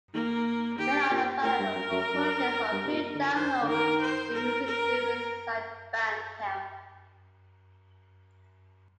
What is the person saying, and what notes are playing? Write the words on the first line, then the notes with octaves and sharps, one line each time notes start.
Many are available for purchase or free download on the music streaming site Bandcamp.
D#3 A#3
D#3 G4
A#2
A2 A#4
G2
F#2
F#2
F#2
G2
C3
A#2
D3
D#3 C5
D3
D#3 A#4
C5
A#4
A#4